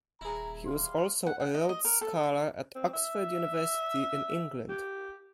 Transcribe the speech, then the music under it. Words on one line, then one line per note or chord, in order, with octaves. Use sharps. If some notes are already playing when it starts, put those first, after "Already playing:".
He was also a Rhodes Scholar at Oxford University in England.
D#1 E4 G#4 A#5
G3 F5 C6
F#5
F#5
D#5
D#5
A#4
A4
C4
E5
G4